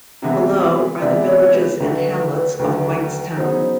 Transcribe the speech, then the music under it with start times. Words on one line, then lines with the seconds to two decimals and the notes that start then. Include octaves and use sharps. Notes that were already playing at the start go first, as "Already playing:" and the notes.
Below are the villages and hamlets of Whitestown.
0.22 C3 E3 G#3 B3 E4
1.01 C3 E3 G#3 B3 E4 D5
1.28 C#5
1.54 B4
1.80 D#2 D3 F#3 A3
2.59 D#2 D3 F#3 A3
3.37 C#3 F#3 B3 D#4 C5